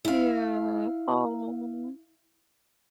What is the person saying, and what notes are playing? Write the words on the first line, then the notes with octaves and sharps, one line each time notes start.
Yeah, oh.
E4 F5